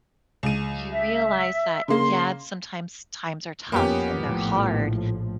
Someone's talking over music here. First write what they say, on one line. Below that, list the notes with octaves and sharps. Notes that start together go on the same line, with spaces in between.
you realize that, yeah, sometimes times are tough and they're hard,
C#2 D#7
E5
C#3 A#3 C6
F2 A#3 B3 C#4 G4
A#1 A2 F3